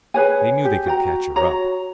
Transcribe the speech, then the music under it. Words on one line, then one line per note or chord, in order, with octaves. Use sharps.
They knew they could catch her up.
G#4 B4 C#5 G#5
G4
F#4 G5 A#5
F#4 C#5 A#5